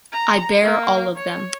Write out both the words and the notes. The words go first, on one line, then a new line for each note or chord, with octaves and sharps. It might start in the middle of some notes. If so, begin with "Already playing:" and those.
I bear all of them.
A#5
A#3
C#5